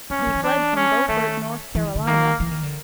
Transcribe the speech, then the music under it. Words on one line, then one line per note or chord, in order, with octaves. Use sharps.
He fled from Beaufort, North Carolina.
C4 C#4
G3
F3
E3
D4
C#4
D#3 A3
E3
D#3
D3
D#3 A#3
E3
D#3
D3